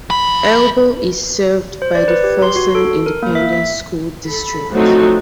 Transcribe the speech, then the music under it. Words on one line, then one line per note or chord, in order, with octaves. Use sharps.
Elbow is served by the Forsan Independent School District.
F3 B5
C5
D5
B4
G4
C6
F#4
A4
A#4
A#3
E5
B6
A4 B5
F3 F#3 A3 C4 D#4 F#4